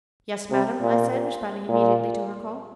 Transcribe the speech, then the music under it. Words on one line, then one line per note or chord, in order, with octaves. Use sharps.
"Yes, madam," I said, responding immediately to her call.
C3
A#2
A#2